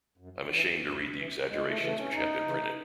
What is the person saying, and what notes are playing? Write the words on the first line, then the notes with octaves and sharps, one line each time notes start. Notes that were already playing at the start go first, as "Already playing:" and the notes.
I'm ashamed to read the exaggerations which have been printed"".
F#2
E3
F#2
E3
E2 G#3
A3
C#3 E3 A3
C#4
E2 D#4
C#3 E3